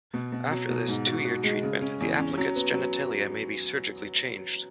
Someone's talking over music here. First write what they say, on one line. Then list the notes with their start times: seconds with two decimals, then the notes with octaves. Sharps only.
After this two-year treatment, the applicant's genitalia may be surgically changed.
0.14 B2
0.32 B2
0.51 F#3
0.70 B2
0.88 G#2
1.07 F#4
1.25 F#4
1.43 G#3
1.63 C#3
1.81 C#4
2.01 E2
2.19 C#4
2.37 F#3
2.56 B3
2.74 F#3